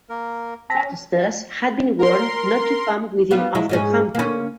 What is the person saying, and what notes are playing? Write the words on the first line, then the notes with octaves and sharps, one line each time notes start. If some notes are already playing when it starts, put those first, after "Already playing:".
Protesters had been warned not to come within of the compound.
A#3 A#4
C4 A5 A#6 B6
A#4 C6
G3 B3 F4
G#3 E4
G#2 G#3 C#4
A#3 C#4